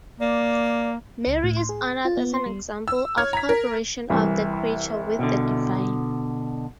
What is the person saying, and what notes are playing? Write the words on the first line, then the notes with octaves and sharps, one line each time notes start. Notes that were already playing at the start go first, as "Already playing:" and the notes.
Mary is honored as an example of co-operation of the creature with the Divine.
A#3 D5
C#2
A2
C6
G#4
A6
F4
B3
C6
G3
E6
C#5 F6 G#6
A#5 B6
A#4
C2 E3 E4
B2 D3